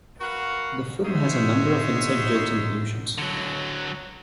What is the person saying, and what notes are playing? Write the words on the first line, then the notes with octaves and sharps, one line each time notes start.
The film has a number of inside jokes and allusions.
F#4 A#4 B4 F5 F#5
D#4 F#4 G#4 C5 C#5 E5
D3 F#3